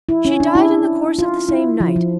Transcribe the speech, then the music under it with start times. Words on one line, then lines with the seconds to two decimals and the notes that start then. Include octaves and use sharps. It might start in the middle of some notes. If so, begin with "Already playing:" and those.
She died in the course of the same night.
0.09 E4
0.25 C#4
0.40 D4
0.55 E4
1.19 F4
1.49 E4
1.80 F3
1.96 F3